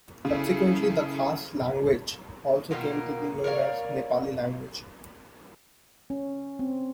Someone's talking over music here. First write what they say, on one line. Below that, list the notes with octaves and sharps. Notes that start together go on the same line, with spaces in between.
Subsequently, the Khas language also came to be known as "Nepali language".
C#3 E4 G#4 A4
B2 D#3 A#3 F4
A#4 C#5 D5 F5
C#4
C4